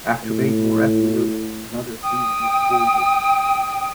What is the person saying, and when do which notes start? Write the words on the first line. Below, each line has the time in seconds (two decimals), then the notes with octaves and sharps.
After eight more episodes, another season was ordered.
0.24 A2
2.03 G5 D#6